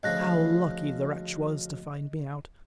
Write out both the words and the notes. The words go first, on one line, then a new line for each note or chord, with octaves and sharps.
How lucky the wretch was to find me out!
D2 C#3 F3 D#5 F#6 A#6